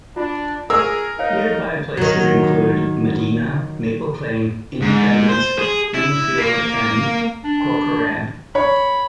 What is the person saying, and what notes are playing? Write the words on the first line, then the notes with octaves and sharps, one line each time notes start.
Nearby places include Medina, Maple Plain, Independence, Greenfield, and Corcoran.
D4 F4 B5
G#4 A#4 C#6 E6
D#4 C#5 F5
D#3 F#3
G#2
C5
G#4
E4
A#3
D4
C#5 B5